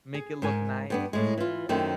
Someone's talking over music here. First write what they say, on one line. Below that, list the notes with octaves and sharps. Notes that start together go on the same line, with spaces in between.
make it look nice.
G#4
G#2 A#4 G#5
G2 B3 D4
A2 G#3
E3 F4
F#2 D#3 A3 C4